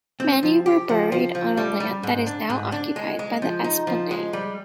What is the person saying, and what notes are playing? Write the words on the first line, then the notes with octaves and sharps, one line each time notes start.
Many were buried on land that is now occupied by the Esplanade.
C4
F3
G4
F3
F3
F3
G3
G3
G#2
D4
G#2
D4
G#3
G#3
F3
D#4
F3
G#3
G3